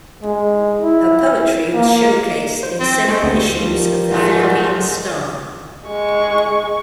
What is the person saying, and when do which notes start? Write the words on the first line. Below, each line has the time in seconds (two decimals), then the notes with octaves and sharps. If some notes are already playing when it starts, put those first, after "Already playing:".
Her poetry was showcased in several issues of "The Philippine Star".
0.23 G#3
0.81 E4
1.74 A#3
2.63 C5
2.80 C4
3.08 G#3 A3 C5
3.23 D2 B3
3.57 F3 G3 A#4
4.11 G2 G#3 A3
5.88 G#3 C#6